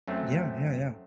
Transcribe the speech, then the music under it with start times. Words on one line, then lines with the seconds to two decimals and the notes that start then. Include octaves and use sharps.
Yeah, yeah, yeah,
0.08 F#2 F#3 A3 C4